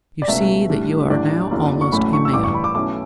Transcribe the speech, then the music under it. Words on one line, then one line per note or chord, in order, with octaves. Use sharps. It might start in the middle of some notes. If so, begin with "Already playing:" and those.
You see that you are now almost a man.
D5
C#2 B2 A3 C#4 E5
A2 G3 D4
A1 A2 G3 D4 D5
F#1 E2 C#3 F#3
C#6
A1 A2 F#3 A3 C#4 B5
C#6
E6
A1 G2 E3 D6
C#6
B5
D6
B1 B2 A3 C#4 E4 D6